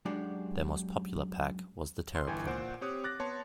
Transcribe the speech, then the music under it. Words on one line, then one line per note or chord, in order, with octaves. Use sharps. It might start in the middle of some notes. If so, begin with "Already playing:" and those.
Their most popular pack was the Terraplane.
F#2 G#3 D4 F#4 G4 D5
C6
G1 E3 G5 G#5
A#2 C5 F#5 G6 D7
C4 G4 C#5 D#6 F#6
D6 F#6 A6 A#6
B3 C#5 A5 C6